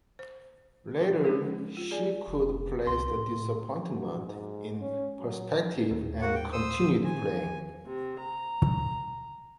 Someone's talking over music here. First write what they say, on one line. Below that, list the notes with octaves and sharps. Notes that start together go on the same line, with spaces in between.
Later she could place the disappointment in perspective and continued playing.
C5
F3 G#3 C#4 D#4
F4
G#4 D5 G#5
F1
C2 C6
A2
F#4
G#2
C#4
F#3
D#2
A#3 F#4 F#5
G5
C5 D#6 E6
D#3 G#5
C3
A#5